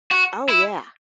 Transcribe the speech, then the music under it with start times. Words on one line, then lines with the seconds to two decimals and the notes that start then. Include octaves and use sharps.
Oh, yeah.
0.11 F#4
0.49 E4